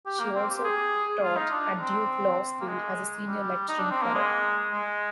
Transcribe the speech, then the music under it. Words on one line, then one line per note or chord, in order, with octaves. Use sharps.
She also taught at Duke Law School as a senior lecturing fellow.
G4
A#3
C4
G4
G#4
F4
D#4
D4
C4
A#3
G#3
G3
D#4
D4
C4
A#3
G#3
G#3